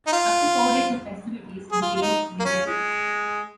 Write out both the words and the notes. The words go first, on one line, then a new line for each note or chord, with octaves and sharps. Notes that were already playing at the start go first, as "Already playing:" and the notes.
After four days of festivities the Games began.
D#4
F4
G#4
F4
F4
D#4
A#3
C#4
G#3